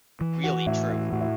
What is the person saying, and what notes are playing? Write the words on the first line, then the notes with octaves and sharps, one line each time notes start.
Really true.
E3
F#4
A2 E4
E4
A2 F#4
E4